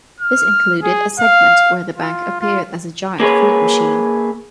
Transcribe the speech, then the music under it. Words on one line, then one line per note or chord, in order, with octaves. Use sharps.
This included a segment where the bank appeared as a giant fruit machine.
F6
G#4
F5
F4
F4
A#3 G#4 B4 C#5